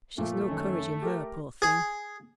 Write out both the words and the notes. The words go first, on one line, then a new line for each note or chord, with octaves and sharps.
She's no courage in her, poor thing!'
A#2 F3 A3
F#2 D#3 C#4
G4 A#4
G#4